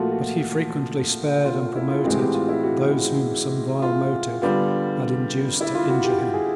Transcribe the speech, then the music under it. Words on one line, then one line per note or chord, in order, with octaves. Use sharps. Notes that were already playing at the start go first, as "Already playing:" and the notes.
But he frequently spared and promoted those whom some vile motive had induced to injure him.
Already playing: A#2 F3 A3 F4 F#4
F#4
F4
F4
E4
F4
A2 E3 G#3 C4 F#4
G4
F4
E4
F#4
F4
D3 G3 B3 F4
E4
F4
F#4
G4
G4
G#4